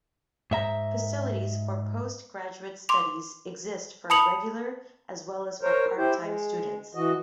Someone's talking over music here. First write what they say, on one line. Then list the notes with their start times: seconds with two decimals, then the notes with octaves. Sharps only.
Facilities for post-graduate studies exist for regular as well as for part-time students.
0.51 G#2 E5 A#5
2.89 C6 D6 F7
4.10 A5 B5 D#6 C#7 F7 F#7
5.62 A#4 C5 C#5
5.97 E4 G4 C5
6.21 G#3
6.95 E3 F#4 D#5